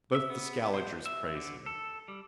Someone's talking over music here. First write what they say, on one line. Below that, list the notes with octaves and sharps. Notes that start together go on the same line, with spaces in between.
Both the Scaligers praise him.'
E5
B3
C5
E5
D3
A4
G3